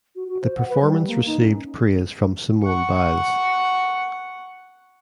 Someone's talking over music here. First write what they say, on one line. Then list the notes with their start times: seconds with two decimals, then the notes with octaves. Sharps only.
The performance received praise from Simone Biles.
0.16 F#4
0.28 F#4
0.42 C5
0.57 F#5
0.69 B4
0.82 G3
0.93 G3
1.07 A#3
1.26 D#4
1.41 C#4
2.64 F#5 C#6